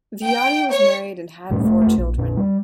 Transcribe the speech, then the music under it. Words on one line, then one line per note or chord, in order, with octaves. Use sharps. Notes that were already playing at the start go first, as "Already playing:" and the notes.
Viotti was married and had four children.
G5
C#5
F2 A2 G3 C#4
F1 A3
F2 A3
A#1
F2 A#2
G3